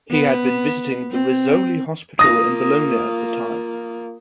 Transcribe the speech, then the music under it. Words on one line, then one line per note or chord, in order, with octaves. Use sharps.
He had been visiting the Rizzoli Hospital in Bologna at the time.
B3
C4
A#3 F4 D#6 A#6